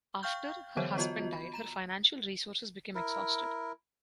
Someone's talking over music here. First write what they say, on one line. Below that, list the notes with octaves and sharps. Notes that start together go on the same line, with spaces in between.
After her husband died her financial resources became exhausted.
F5 G5 C#6 F6 G6
D3 E3 F#3 B3 C5 C#5
B3 F4 F#4 D#5
B5
A#5 E7
E4 A#4